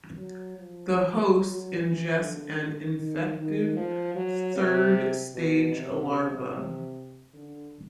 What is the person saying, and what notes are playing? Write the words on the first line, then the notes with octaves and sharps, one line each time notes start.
The host ingests an infective third stage larva.
F#3
F3
F#3
E3
D3
D#3
D#3
F3
F#3
C3
B2
C3
C3
D3